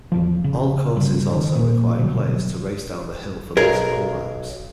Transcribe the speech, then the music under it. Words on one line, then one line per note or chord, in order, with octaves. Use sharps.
All courses also required players to race down the hill for multiple laps.
E2 C#3 E3 F3
C#3
G2 C#3
E1 D#3
A#2 A#3
B2 D3 F#3
B1 G#4 A#4